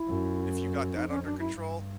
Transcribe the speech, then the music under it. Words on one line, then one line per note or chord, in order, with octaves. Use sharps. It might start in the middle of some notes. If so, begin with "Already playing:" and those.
if you got that under control
Already playing: E4
F#2
F2 D#4
C#4
F#2 D4
E4
G2